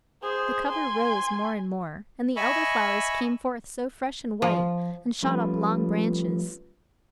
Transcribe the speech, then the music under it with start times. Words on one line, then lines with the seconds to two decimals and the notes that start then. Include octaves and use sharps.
The cover rose more and more; and the Elder-flowers came forth so fresh and white, and shot up long branches.
0.23 G#4 C5
0.69 G#5 C6
2.36 D#5 E5 G#5 B5 C#6 E6
4.42 F3
5.23 F3 G3 A3 C#4 F4 B4